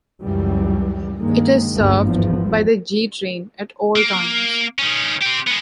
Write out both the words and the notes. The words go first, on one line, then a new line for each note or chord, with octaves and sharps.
It is served by the G train at all times.
C#2 F#2 E3 G3
G2 D#3 G#3 A#3
G1 D2 G2 G#3 A#3
G#1 E2 F3
A#3
D#3 C#4
C4 G4
G#3 B3